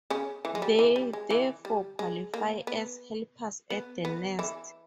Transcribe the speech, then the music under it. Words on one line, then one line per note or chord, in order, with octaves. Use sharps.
They therefore qualify as helpers at the nest.
C#3 C#4
E3
G#3
G3
E3
G3
G#3
E3
G3
G#3
A#3
B3
B3
B3
E3 E4